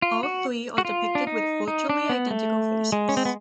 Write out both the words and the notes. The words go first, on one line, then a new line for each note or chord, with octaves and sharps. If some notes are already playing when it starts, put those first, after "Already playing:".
All three are depicted with virtually identical faces.
F4
F#4
F#4
F4
D4
D#4
D#4
D4
B3
A3
G#3
C#4
C4
B3